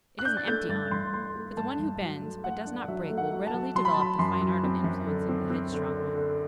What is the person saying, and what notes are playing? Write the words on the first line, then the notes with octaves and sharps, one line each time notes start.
It is an empty honor, for the one who bends but does not break will readily develop the fine art of influencing the headstrong one.
F#6
D4 G6
A6
A3 G6
G2 A6
G2 C6
A3 C6
A3
G2 A5
G2
F#3
A3
A3 F#5
D4
F#3 E5
A3
F#5
F#3
A5
F#3
F#3 C6
B5
A5
F#3 B5
F#2 C6
F#3
C4
F#2
D3
C4
C4
D3
D3
D3